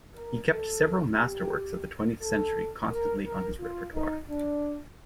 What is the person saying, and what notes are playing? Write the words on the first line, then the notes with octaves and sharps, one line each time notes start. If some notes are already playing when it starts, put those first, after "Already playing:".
He kept several masterworks of the twentieth century constantly on his repertoire.
A#4
A4
G4
A4
A#4
A#4
F4
D#4
D4